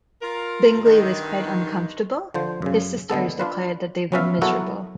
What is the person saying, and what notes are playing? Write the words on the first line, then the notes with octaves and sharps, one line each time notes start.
Bingley was quite uncomfortable; his sisters declared that they were miserable.
F4 A#4
G2 D3 D#3
D3 F3 C5
F#2 C#3
D3 G#3 B3 A4
D4 F4 B4
F#3 B3 C#4 B4 E5 F5
F#3 B3 E4 F#4 A4 A#4